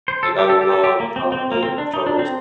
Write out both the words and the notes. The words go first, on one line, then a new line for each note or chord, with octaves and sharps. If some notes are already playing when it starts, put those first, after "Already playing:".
Like, I love chocolate strawberries.
C5
A4
G4
A4
G4
A4
G4
A#3
C4
C4
A#3
C4
D4
D#4
D4
C4